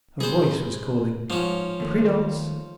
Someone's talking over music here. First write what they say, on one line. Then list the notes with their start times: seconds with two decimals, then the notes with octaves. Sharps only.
A voice was calling, "Prudence!"
0.20 G3 G#4 C5
1.30 G#2 F3 C#4
1.80 D#2 A3